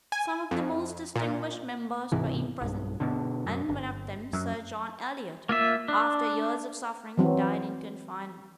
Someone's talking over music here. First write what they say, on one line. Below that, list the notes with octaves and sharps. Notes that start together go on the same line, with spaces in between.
Some of the most distinguished members were imprisoned; and one of them, Sir John Eliot, after years of suffering, died in confinement.
G#5
F2
A#2
D1 G#2 C3 E3
B1 G2
B2 D3
F#2
G1
F#2
A#3 F4 E5
D4
E3 F#3 C4